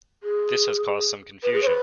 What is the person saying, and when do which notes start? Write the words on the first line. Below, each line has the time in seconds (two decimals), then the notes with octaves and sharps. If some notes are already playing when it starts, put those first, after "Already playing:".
This has caused some confusion.
0.23 G#4
1.43 B4
1.54 G#4
1.63 C#5
1.67 B4